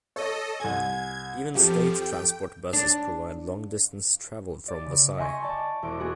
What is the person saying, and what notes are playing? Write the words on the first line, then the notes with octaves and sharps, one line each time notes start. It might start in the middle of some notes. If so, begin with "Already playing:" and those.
Even State Transport buses provide long distance travel from Vasai.
A4 C#5 D#5
C2 G#5 G#6
F2 F3 G4 A4
G5
D4
D5
C#3
D#5 E5 G5 G#5 C6 C#6
D5 A5 C#6
E1 E2 C5 D6 D7
B3 D4 F#4 G#4